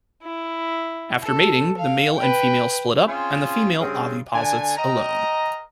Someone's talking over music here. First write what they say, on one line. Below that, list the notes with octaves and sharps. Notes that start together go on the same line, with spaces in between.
After mating the male and female split up and the female oviposits alone.
E4
A4
F5
B4 G5
C4 C#4 F4 G#4
G2 C#3 G#3 C4
D3 G#5
A#4 D#5 G5 A#5